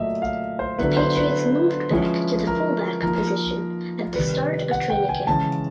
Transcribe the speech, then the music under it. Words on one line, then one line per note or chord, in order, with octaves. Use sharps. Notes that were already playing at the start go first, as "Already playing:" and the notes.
The Patriots moved Beck to the fullback position at the start of training camp.
Already playing: A#2 F#3 A3 D#5 E5
F5
C5
D3 F#3 B3 E4 B4
C5
B4
F3 G#3 C#4 E4
A#4
F3 A#3 D#4 A#4
C3 D#3 G3 B4
B4
F#5
G5
G#5
C#3 E3 G#3 C#4 A5